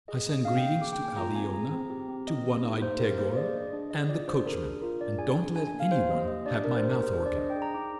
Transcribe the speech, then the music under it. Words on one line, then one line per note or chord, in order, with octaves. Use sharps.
I send greetings to Aliona, to one-eyed Tegor, and the coachman, and don't let any one have my mouth-organ.
G#4 D#5
D#5
A#3
D#5
D4 F5
G5
A#3
G#4 D6
G5
A#3
G#5
F4 A#5
C4 G#5
G#4 A#5
C4
G4
C4
C4 D#5
G4
D#4
A#3 C5
G4 A#4
A#3 C5
G#4 D5
D4 D#5
D4
G#4 D#5
F4 D5
D4 C5
G#4 A#4
D4
F4 A#4
D4 D5
G#4 G#5
D4
D4 G#5
G#5
A#3
F5
G4 C5
A#3 D#5
G4 D#5
D4 D5
D4 A#4
C5
G4
A#4
G#4 C5
C5
D4
D5
D4 D#5
G5
G#4
A#5
D#4 D6